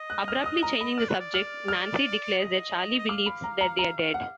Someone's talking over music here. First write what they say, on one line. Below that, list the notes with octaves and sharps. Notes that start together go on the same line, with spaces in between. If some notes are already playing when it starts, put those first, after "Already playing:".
Abruptly changing the subject, Nancy declares that Charlie believes that they are dead.
Already playing: D#5
F#6
F6
D#6
A#5
B5
D5 F6
B4
D5
F6
F6
D#5
D#5
F5 D6
B5
A#5
A#5
A#5
F#5